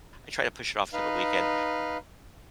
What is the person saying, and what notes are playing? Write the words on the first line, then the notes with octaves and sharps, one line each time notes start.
I try to push it off to the weekend,
D#4 B4 F5